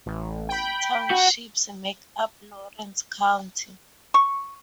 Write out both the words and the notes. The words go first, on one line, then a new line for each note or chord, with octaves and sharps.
Nine townships make up Lawrence County.
A1
G5 B5
F#4
C#6